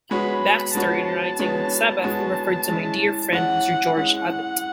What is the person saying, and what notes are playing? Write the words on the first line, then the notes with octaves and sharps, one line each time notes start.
Baxter in writing on the Sabbath referred to "my dear friend Mr. George Abbot".
G#3 B3 F#4 C#5 B5
B5
G#3 B3 F#4 C#5 A5
G#3 B3 F#4 C#5
G#3 B3 F#4 C#5 A5
G#3 C#4 E4
G#3 C#4 E4 F#5
G#3 C#4 E4 F#5